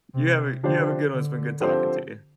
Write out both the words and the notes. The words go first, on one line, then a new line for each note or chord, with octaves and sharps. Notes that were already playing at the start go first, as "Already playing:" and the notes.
you have a you have a good one, it's been good talking to you.
C3
D3 F3 D4 G4 C5
D3
D3 F3 C4 G4 C5